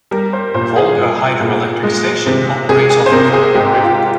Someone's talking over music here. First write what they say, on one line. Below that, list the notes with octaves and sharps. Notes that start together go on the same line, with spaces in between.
Volga Hydroelectric Station operates on the Volga River.
G3 A#4
C5
A#2 C5
G#4
A#2
A#2
G#3
C3
C3 G#4
G#4
C5
C3 A#4
G#4
G#2 G4
G4
F4